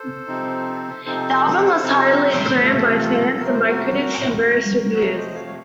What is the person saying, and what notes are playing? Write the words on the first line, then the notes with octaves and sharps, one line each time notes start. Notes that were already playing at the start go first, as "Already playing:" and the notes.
The album was highly acclaimed by fans and by critics in various reviews.
Already playing: A4 C5
C3 F3 C4 D#4
C3 F3 C4 D#4 A4 C5
C3 F3 C4 D#4
F2 C3 F3 A3 F4 A4
F2 C3 F3 A3 A#4
C5
F#4 A#4
F2 C3 F3 A3
F2 C3 F3 A3 A#4 C#5
C5 D#5
C#5 F5
C#5